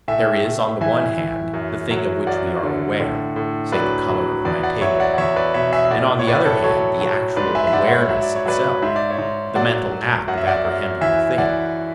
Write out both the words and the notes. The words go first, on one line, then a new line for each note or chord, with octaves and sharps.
There is on the one hand the thing of which we are aware--say the colour of my table--and on the other hand the actual awareness itself, the mental act of apprehending the thing.
A2 E5 G#5
A2
E3 E5 G#5
E3
F#2
F#3
F#2 D5 F#5
D3
A2
A2
F#3 B4 D5
F#3
E2 B4 D5
D5 F#5
F#3 C#5 E5
D5 F#5
F#5
E2 C#5 E5
B4 D5
B2 C#5 E5
E5 G#5
E5
A2 D5 F#5
C#5
A2 B4 D5
A4 C#5
F#3 A4 C#5
F#3
G#2 B4 D5
E5 G#5
E5
G#2 D5 F#5
F#5
C#5 E5
F#3 E5
D5
C#5
F#3 B4 D5
G#2 E5
D5
C#5 E5
G#2
F#3 D5 F#5
F#3
F#2 F#5
E5
D5 F#5
F#2
E3 E5 G#5
E3 D5 F#5